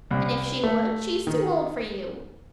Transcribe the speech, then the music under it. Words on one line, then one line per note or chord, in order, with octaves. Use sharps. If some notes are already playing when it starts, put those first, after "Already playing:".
And if she would, she is too old for you.
C2
A3
D#3